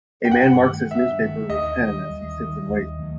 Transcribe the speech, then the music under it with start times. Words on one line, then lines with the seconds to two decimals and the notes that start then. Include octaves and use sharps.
A man marks his newspaper with pen as he sit and waits.
0.25 G5
0.31 G2 F#5
0.61 D#3 A3
0.91 G2 E5
1.20 D#3 A3
1.50 D#2 D#5
1.80 D#3 G3
2.10 D#2
2.38 D#3 G3
2.69 D#2
2.99 D#3 F#3 A3